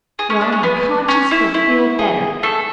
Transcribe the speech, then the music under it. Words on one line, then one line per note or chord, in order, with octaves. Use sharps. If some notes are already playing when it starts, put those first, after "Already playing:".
"Well, my conscience will feel better."
G#4
C#4
D4
C#4
B3
C#4
E4
E4
G#4
A3 A4